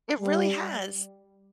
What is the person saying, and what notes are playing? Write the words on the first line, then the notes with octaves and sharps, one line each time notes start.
It really has,
G3